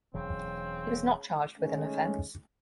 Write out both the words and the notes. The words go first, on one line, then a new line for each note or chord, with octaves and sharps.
He was not charged with an offense.
E1 C#3 E3 F#3 C4
D#3 G#3 A3 C#4